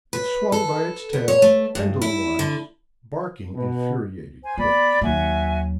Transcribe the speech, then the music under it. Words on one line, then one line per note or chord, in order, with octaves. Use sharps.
It swung by its tail, pendulum-wise, barking infuriated clicks.
B4
A4
B3
C#5
A3
G2
E4
D3
B2
C5 G#5
B3 D5 B5
D#2 F#3 F#4 E5 G#5